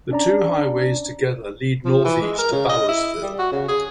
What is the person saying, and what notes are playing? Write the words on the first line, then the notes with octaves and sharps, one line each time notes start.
The two highways together lead northeast to Bowersville.
C#4 D4 D5 A#5
F3
E3
G#3
A#4
C#3
D#5
E4
G3
F#4
C#3
G#4